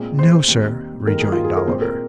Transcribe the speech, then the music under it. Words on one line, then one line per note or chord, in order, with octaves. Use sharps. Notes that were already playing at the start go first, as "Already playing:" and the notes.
'No, sir,' rejoined Oliver.
Already playing: A#2 G#3 C4
C5
D#2 D#3 C4
D#2 D#3 G#3 A#4
G#4
F4
G#4
A#4
A#2 G#3 C4 C5
A#4